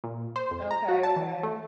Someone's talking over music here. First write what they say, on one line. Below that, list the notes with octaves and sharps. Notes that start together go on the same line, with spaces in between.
Okay, okay.
A#2
C5
F2
A#5
F#4
A5
E3
A3